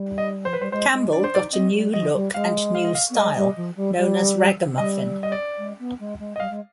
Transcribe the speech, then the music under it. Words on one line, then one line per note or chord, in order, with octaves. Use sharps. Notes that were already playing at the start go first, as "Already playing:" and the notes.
Campbell got a new look and new style, known as raggamuffin.
Already playing: G3
D#5
F3 C5
B4
G3 C5
G#3 C5
G#3
D4 D5
C5
D#4 D5
C4 D#5
G3
F3 D#5
G3
G#3 F5
F5
D#5
F5
B3
G#3 D#5
G3
F3
G3
G3
G3 D#5
D#5
D5
G#3
B3
G#3
G#3
D#5
G3 F5
G#3